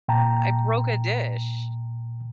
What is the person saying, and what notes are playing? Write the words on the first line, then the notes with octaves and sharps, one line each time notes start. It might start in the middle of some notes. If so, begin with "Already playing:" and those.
I broke a dish.
A#2 G5 A5 A#5